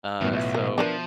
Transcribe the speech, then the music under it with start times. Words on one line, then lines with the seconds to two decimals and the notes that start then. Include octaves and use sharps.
Uh, so
0.21 A1 G2 B2 D#3 B3
0.32 B1 F4 E5
0.54 A#4
0.78 F3 D4 A#4 B4